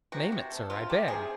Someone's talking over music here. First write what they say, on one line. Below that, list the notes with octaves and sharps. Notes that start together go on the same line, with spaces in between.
"Name it, sir, I beg."
C3 F#4
C3
A3
C3 F4
A3 G4
C3 G#4